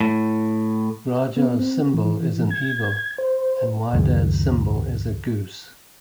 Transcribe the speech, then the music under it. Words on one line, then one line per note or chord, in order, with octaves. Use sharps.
Raja's symbol is an eagle and Wydad's symbol is a goose.
A2
B3
C4
E3
G#6
C5
C#2 F#2 D#3 G#3